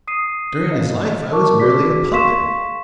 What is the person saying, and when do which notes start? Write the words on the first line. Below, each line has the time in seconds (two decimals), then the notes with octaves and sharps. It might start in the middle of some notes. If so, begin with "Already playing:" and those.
During his life I was merely a puppet.
0.08 D#6 C7 D#7
0.72 D#5 F5
1.32 A#4 A5 C#6 D6
1.60 F#4 G#4 D5 D6 B6
2.12 F5 C6 C#6 B6 E7